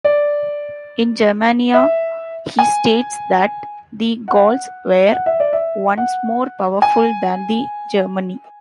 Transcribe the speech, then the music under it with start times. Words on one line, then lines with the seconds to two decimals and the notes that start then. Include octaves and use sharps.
In "Germania" he states that the Gauls were once more powerful than the Germani.
0.04 D5
1.74 E5
2.59 G#5
4.28 F#5
5.13 F#5
5.26 E5
5.40 D5
5.53 E5
5.97 F#5
6.82 G#5